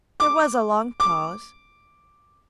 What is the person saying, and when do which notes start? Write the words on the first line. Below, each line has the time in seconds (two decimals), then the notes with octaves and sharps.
There was a long pause.
0.20 D6
1.00 D6